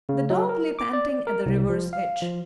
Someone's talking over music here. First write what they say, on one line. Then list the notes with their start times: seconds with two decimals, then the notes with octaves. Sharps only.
The dog lay panting at the river's edge.
0.09 C#3
0.30 F#3
0.49 A#4
0.79 D6
0.93 D5
1.09 D5
1.27 A#4
1.46 C2
1.69 F3
1.93 F5
2.22 F3